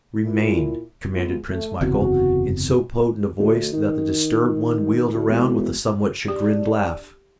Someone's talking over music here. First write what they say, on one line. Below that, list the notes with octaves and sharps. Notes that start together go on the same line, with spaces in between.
"Remain!" commanded Prince Michael, in so potent a voice that the disturbed one wheeled around with a somewhat chagrined laugh.
A#2 E4
G#3 B3 F4
A3
F#1 E2 C3 F#4
D2
D#3
D2
E1
D4 G4